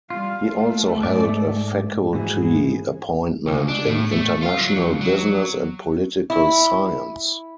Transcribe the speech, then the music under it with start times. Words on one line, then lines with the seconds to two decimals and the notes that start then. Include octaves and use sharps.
He also held a faculty appointment in international business and political science.
0.10 G3 F4 F5
0.43 A3
1.03 G#2 D5
2.13 G#2 E3 F#4 G#4
3.48 C#2
3.68 D4
3.86 A2
4.11 A3
4.43 F4
4.61 F#3
4.76 F2
5.01 F#3
6.30 E4